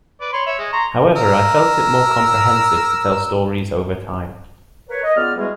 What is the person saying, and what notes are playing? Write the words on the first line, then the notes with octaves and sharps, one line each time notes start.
However, I felt it more comprehensive to tell stories over time.
B4 D5
C#5 B5 C6
C#5 E5
G#3
A#5 C6 C#6
A#4 E6
A#4 B4 C#5
D#5
C#2 B3 F4 D5 F6
E3 G3 G#3 B3 F#4 G#4